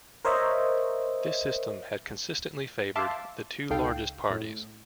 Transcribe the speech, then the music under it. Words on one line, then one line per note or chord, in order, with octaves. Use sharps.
This system had consistently favoured the two largest parties.
A#4 C5 C#5 D#5 E5
E5 F5 A5 C6 D6 E6
C#2 D#4 A4 F5 G5 C7
A2